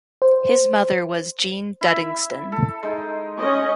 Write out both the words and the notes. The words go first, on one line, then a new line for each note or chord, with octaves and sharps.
His mother was Jean Duddingston.
C5
E4 E5
A4
G#3 D#4
C#4 D#5